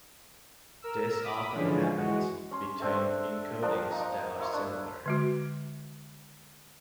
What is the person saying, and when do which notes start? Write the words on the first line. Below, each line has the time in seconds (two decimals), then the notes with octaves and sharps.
This often happens between encodings that are similar.
0.82 A#4 E6
1.21 B5 D6 D#6 B6
1.55 D3 E3 F3 G#3 C#4
1.96 E3 G#3 F#4
2.51 C#4 C6
2.80 A3 C4 D4
3.62 F3 D4 A#4
3.91 A#3 D#4 D#5 A#5
4.40 E4 C#5 C6
4.53 D4
5.06 D3 G#3 F#4